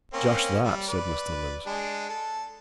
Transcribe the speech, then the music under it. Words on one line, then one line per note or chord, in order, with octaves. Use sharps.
"Just that," said Mr. Lindsey.
A#3 C4 C#4
G3
B4 D5
G#3 D4
A4